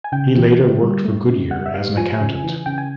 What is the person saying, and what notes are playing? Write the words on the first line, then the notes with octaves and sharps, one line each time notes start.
He later worked for Goodyear as an accountant.
G#5
C#3 G5
E3
D3
G3
A3
C#3
G3 F#5
E5
G3 F5
F3 G#5
C#3
E3
C#3 G5
G#5